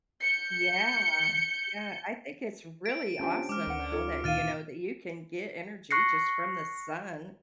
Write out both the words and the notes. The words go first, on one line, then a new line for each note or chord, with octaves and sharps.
Yeah, yeah, I think it's really awesome though that, you know, that you can get energy just from the sun.
G6 C#7
D7
C#4 D4 F4 G4 C5 A5
G#3 D6 F6
D2 B4 F#5
D#4 F4 A4 C#5
A#2 D#3 D#5 F5 F6 A6 D#7
C#6 F#6 A#6 C7 C#7